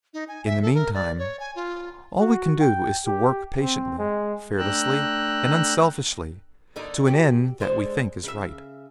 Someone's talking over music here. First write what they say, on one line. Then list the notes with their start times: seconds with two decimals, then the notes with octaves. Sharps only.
In the meantime, all we can do is to work patiently, fearlessly, and unselfishly, to an end that we think is right.
0.14 D#4
0.28 G#5
0.46 E5
0.62 A4
0.74 A#4
0.94 D5
1.19 C#5
1.40 G#5
1.56 F4
2.19 F#4
2.61 G5
3.06 G4
3.60 C4
3.98 G#3
4.58 A3 D4 G5 A#5 E6 F#6
6.76 D3 A#3 D#4
7.06 F#4 G4
7.60 D3 G#3 C5
8.24 C#3 E5